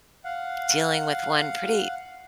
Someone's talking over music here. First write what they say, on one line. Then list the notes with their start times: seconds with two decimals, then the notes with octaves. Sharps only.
dealing with one pretty
0.25 F5 F#5